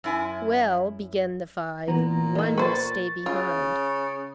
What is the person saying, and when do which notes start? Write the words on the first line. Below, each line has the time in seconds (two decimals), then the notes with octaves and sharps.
"Well," began the five, "one must stay behind."
0.04 F#2 E4 G#5
1.87 A#2 E3 B3 A#5
2.35 D#3 A#3
2.58 B4 C5 C#6 A6
3.26 C#3 F4